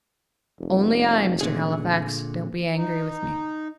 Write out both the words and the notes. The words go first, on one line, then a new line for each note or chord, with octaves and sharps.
"Only I, Mr. Halifax--don't be angry with me."
F1
A#2 D3 G#4
D#4